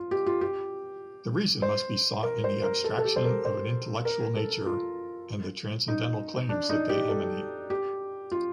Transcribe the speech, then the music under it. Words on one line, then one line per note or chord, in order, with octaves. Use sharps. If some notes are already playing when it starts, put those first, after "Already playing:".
The reason must be sought in the abstraction of an intellectual nature and the transcendental claims that they emanate.
Already playing: F4
G4
F4
G4
C5
A#4
C5
A#4
A4
A4
G4
C5
A#4
C5
A#4
A4
F4
D#4
D4
D#4
G4
A4
G4
F4